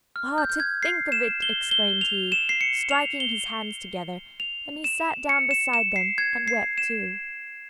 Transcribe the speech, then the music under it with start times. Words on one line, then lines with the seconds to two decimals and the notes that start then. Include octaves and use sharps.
'Ah, to think of it!' exclaimed he, striking his hands together, and he sat down beside them and wept too.
0.16 F6
0.38 G6
0.50 G6
0.60 G#6
0.83 C7
1.12 E7
1.42 G7
1.71 G7
2.01 F7
2.32 E7
2.49 C7
2.61 C#7
2.91 F7
3.20 G7
4.40 F7
4.84 E7
5.29 C#7
5.51 E7
5.74 E7
5.96 C7
6.18 G#6
6.48 C7
6.78 E7